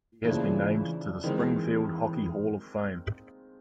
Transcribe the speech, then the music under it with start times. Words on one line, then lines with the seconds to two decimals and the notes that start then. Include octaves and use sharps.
He has been named to the Springfield Hockey Hall of Fame.
0.25 D#2 C#3 E3 F3 A3 D4
1.24 D#3 E3 G#3 C4